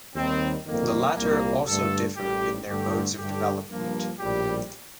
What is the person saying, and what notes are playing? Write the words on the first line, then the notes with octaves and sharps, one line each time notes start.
The latter also differ in their modes of development.
D#2 D#3 G3 C4
G1 F2 D#3 G3 A#3
C2 A#2 G3 A#3
G2 D3 A3 A4
A1 A2 G3 G4
G2 D3 A3 G4
G2 D3 A3 G4
G2 F3 A#3
A#1 A2 G3 G4